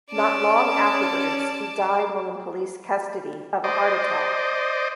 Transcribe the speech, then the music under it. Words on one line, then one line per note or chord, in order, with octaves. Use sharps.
Not long afterwards, he died while in police custody, of a heart attack.
C#4 D5 A5
C5 D5 D#5